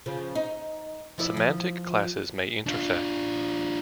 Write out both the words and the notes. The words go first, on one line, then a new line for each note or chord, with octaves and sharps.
Semantic classes may intersect.
C#3 F3
D#4
F3 E4 D5
F3
D4 F4